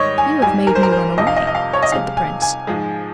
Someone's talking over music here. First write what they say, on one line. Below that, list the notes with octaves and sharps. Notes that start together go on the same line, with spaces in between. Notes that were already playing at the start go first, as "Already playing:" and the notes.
'You have made me run away,' said the prince.
Already playing: G#2 D#3 G3 C#5 D#5
G#5
G#2 G3 G#5
A#4
C5
A#4
C5
F2 C3 F3 D#5
F5
D#5
D#5
F5
C#5
D#5
C3 F3 G#3 F5
G#5
G#5
G#2 F3 G#3